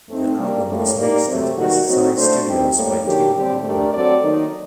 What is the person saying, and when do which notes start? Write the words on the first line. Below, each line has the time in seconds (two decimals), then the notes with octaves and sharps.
The album was mixed at Westside Studios by Tim Palmer.
0.09 A3 C4 D#4
0.38 G3 A#3 D4
0.67 A2 G3 A#3
0.98 A#3 D#4 G4 A#4 D5
1.27 C3 F#3 A3
1.57 D#3 G3 A#3 F#4
1.86 F#3 C4 D#4 F#4
2.16 A3 D4 F#4 C5
2.45 G3 C4 D#4 G4
2.75 A2 G3 A#3
3.04 D#3 F#3 A#3 D4 G4
3.34 D3 G3 C4 G4
3.64 A3 D4 G4 A#4 D5
3.93 F#3 C4 F#4 A4 D5
4.23 D#3 F#3 A#3 D#4